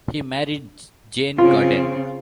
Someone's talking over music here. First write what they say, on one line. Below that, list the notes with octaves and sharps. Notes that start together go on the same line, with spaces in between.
He married Jane Godden.
C#3 C4 F4